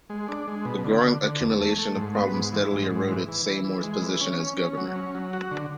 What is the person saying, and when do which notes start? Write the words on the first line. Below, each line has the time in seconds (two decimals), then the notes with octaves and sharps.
The growing accumulation of problems steadily eroded Seymour's position as governor.
0.10 G#3
0.28 D4
0.48 G#3
0.65 B2
0.84 D3
1.03 D3
1.22 D3
1.41 E2
1.60 A3
1.78 A3
1.96 G#2
2.15 B3
2.34 G#2
2.53 E3
2.72 G#2
2.91 G#2
3.08 E3
3.28 E3
3.46 E3
3.64 E3
3.83 G#3
4.02 E3
4.21 C#4
4.40 C#4
4.58 C#4
4.77 F#3
4.96 C#4
5.15 F#3
5.33 F#4
5.51 D3